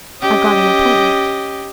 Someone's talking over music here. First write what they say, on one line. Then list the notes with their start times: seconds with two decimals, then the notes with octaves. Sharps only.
I've got an appointment.'
0.22 C#4 G4 D#5